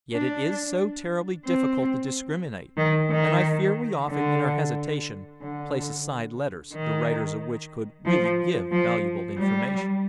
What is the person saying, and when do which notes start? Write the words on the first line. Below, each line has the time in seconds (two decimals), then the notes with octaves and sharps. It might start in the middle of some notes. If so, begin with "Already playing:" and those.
"Yet it is so terribly difficult to discriminate, and I fear we often, in our hesitation, place aside letters, the writers of which could really give valuable information."
0.13 D4
1.46 C4
2.77 D#3
3.11 D#3
4.10 D3
5.42 D3
6.73 D#3
8.06 F3
8.72 F3
9.37 G3